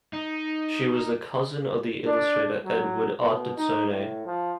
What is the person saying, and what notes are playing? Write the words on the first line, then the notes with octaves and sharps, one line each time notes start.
She was the cousin of the illustrator Edward Ardizzone.
D#4
D4
F#3
B2
D#4
A2
F3